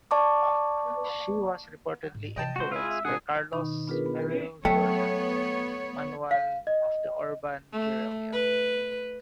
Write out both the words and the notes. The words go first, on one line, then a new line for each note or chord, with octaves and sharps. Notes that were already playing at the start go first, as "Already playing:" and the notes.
She was reportedly influenced by Carlos Marighella's "Manual of the Urban Guerilla".
D5 A5 C#6 D6
G#2
C3 E3 D#5 G5 A5
G#3 C4 F#4 C5
E4 F4 G#4
E5
A#2 D3 G#4 F#5
B2 D#3 D#4 B5 C#6
B3 D4 F4 G#4 A#4 B4
B3
B4
F#3 A3 B3 C#5 G5
F5
D#5
A3
B4